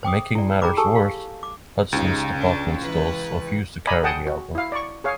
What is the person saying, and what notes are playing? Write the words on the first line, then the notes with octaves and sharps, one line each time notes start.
Making matters worse, Hudson's department stores refused to carry the album.
C5 G5 D6 D#6
E4 D5
G#4 G5 A#5 B5 D6
G4 A4 G#5 A5 C#6 E6
G4 F5
D6
C#2 C#3 D#4 G4
C#4 D4
E3 B4
D5 D#5 G#5 A#5 B5
G#4 F#5 G5 A5 D#6
F#4
E4 F5
D5 C#6
G#4 C#5 F5